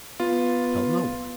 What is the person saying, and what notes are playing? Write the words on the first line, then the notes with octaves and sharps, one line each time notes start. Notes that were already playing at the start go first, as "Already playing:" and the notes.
Tell no one.
B3 F4